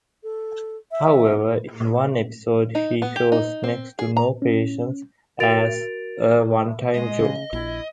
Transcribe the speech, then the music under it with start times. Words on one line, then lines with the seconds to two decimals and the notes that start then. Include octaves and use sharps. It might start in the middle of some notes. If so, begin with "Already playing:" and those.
However, in one episode, he shows next to no patience as a one-time joke.
0.23 A4
0.91 E5
2.75 D#4
3.02 B3
3.16 G4
3.32 D#4
3.64 C4
3.99 G#4
4.17 A#5
4.42 C#4
5.40 F#4 A#4 A6 D7 F7
6.94 G#3 D#5
7.20 C#3
7.53 A#1 E4